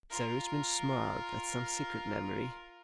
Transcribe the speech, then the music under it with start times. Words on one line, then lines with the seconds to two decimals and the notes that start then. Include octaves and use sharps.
Sir Richmond smiled at some secret memory.
0.10 F4 A#4